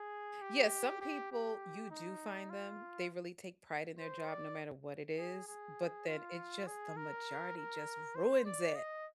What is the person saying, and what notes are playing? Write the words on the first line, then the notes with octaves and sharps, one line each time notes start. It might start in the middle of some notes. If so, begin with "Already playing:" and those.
Yeah, some people, you do find them, they really take pride in their job no matter what it is, but then it's just the majority just ruins it,
Already playing: G#4
G4
G4
G4
D#4
F4
C5
D5
G#4
G#4
F4
G#4
A#4
A#4
C5
D5
D#5